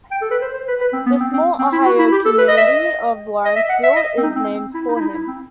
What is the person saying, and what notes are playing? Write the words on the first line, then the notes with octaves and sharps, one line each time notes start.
The small Ohio community of Lawrenceville is named for him.
G5
A4
B4
C5
C5
B4
B4
C4
B3
C4
C4
C4
E4
F#4
E4
G4
A4
B4
D#5
E5
D#5
D#5
E5
F#5
E5
D#5
C4
D#4
C4
C4
E4
D#4
E4
D#4
E4
C4